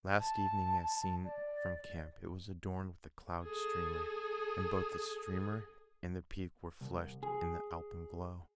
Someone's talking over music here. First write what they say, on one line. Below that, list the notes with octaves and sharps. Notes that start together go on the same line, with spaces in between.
Last evening as seen from camp it was adorned with a cloud streamer, and both the streamer and the peak were flushed in the alpenglow.
A5
D5
G#4 A4
C2
G#4